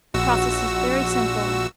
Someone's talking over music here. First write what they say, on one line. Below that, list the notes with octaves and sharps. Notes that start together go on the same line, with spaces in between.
The process is very simple.
A#1 F#4 E6